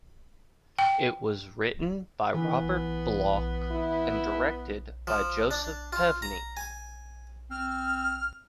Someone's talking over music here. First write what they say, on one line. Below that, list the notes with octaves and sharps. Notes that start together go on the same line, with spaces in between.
It was written by Robert Bloch, and directed by Joseph Pevney.
G5
E3 B3
E4
F3
D4
F4
A#5
G#5
C4 F6